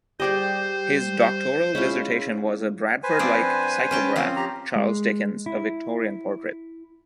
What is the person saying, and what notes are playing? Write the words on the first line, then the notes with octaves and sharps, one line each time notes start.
His doctoral dissertation was a Bradford-like psychograph, "Charles Dickens: A Victorian Portrait".
G3 G4 G#4 C5 D5 D#5 G6
G#3 C#4 E4 F4
B4 C5 G#5
F3 C4 D4
C#4 G5 A5
F3 C4 C#4
G4 A#5
G#3
E4